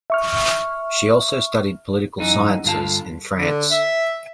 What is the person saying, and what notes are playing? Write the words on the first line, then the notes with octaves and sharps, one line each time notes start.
She also studied Political Sciences in France.
E5 C#6 F6
F#2 E3 D#4
G2 D3 F4 A5
D3
E5